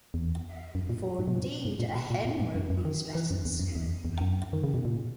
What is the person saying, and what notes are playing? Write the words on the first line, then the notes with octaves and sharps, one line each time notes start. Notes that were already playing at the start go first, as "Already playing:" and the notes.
For indeed a hen wrote these letters.
E2
F#2
A#2
G#2
B2
A#2
G#2
A#2
B2
A#2
A#2
G#2
F#2
F#2
D#3
E3
F#2
E2
F#2
E2
E2
F#2
D#3
C#3
B2
A#2